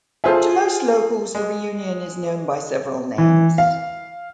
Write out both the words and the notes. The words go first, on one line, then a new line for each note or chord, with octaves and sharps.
To most locals, the reunion is known by several names.
F4 G#4 A4 C5 E5
G#3
E3
F5